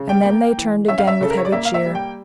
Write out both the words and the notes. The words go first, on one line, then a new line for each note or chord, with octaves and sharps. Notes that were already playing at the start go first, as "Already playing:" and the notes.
And then they turned again with heavy cheer.
Already playing: C#3
G5
A#3
E3
C#4 E5
F5
E5
C#3 A4
A#4
C#5
D5
A#3 E5
F5
E5
G3
G5